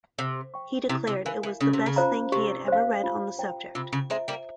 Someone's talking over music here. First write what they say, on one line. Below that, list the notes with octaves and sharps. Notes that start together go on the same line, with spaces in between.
He declared it the best thing he had ever read on the subject.
C3 C5
G5 C#6
C3 E4
C3
E3 A#4 F5 G#5
E3
C#3 C#4
C3
C#3
F4 C5 F5 A#5
C3 G4
C5 F5
F4
C5 G5 A#5
C3 F4
C#3
G#3 C4 C5 E5 A#5
G3 A#3